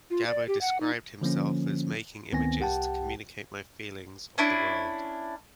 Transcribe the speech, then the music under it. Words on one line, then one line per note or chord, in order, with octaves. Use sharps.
Gabo described himself as making images to communicate my feelings of the world.
F4
D5
G4
F#5
D#4
D3 F3 A#3 C#4
D2 D#3 B3 C4 G#5 A#6
C2 G4 F#5 G5 A5
C#4 D4 E4